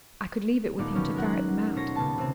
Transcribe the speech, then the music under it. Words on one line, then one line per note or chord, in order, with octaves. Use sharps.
I could leave it with him to ferret them out.
D#1 A#2 A3 B3 D#4 D5
B2 D#3 F#3 A#3 B3 C#4
G#3 A#4 F#5
B2 A4 C5 C#5 A#6
A#2 C#3 B3 A5
C3 C4